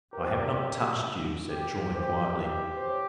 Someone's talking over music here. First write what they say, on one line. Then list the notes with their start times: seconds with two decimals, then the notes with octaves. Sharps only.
"I have not touched you," said Troy, quietly.
0.13 G4 A#4
0.19 C5
0.27 A#4
1.50 G4
1.95 G4 C5
2.77 C5
2.87 C#5